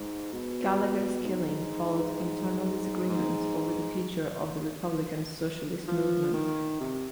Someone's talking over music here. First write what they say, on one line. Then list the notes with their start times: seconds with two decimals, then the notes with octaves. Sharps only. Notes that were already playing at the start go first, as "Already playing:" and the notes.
Gallagher's killing followed internal disagreements over the future of the republican socialist movement.
Already playing: G#2
0.32 B2
1.24 G#2
3.09 G#2
5.88 F3
6.34 D#3
6.80 C3